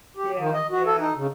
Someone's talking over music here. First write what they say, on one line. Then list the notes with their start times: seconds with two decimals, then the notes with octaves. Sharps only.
Yeah, yeah.
0.17 G4
0.38 D#3
0.53 D#5
0.71 F#4
0.86 A4
0.99 D#4
1.16 C#3